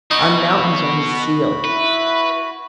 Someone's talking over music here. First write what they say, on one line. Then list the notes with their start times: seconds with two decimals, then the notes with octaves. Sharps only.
Our mountains are his seal.
0.11 B2 D#4 F#4 B5
1.65 E4 B4